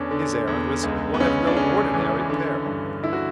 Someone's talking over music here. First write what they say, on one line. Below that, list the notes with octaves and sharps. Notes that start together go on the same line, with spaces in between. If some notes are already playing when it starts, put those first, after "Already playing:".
His errand was one of no ordinary peril.
Already playing: E2 D3 C#4 D4
D3
E2
C#2
B3
C#2 C#4
D4
C#3 C#4
E3
D3
G2
D3 E4
F#4